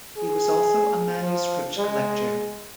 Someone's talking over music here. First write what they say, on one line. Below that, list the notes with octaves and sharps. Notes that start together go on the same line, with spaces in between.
He was also a manuscript collector.
G#4
F3
G#3